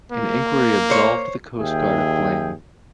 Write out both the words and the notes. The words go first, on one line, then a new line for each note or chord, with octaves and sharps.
An inquiry absolved the Coast Guard of blame.
A#3
C5 C#5
D#2 G#4 E5 G5